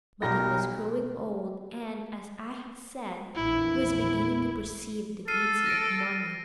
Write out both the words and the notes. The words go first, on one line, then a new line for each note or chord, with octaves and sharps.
But he was growing old, and, as I have said, he was beginning to perceive the beauty of money.
B1 G3 D#4 A#4 A#6
A#1 E2 E4
A4 F6 C7 D#7
A#6 D7